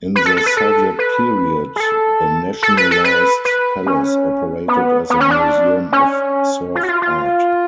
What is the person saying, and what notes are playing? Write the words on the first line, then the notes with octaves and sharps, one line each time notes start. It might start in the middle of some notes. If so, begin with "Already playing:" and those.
In the Soviet period the nationalized palace operated as a museum of serf art.
B4
A4
A4
B4
A4
B4
G#4
A4
A4
B4
A4
B4
B4
C#4
B3
B3
C#4
D4
C#4
F4
F#4
F4
F4